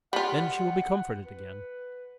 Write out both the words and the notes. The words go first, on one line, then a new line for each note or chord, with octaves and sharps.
Then she will be comforted again.
G3 F4 F#5
B4